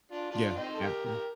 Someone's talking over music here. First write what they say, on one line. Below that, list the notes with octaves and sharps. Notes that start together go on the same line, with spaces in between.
Yeah, yeah, yeah.
D4 F4
D4 F4
C4 D#4
A4
G4 A#4
G4 A#4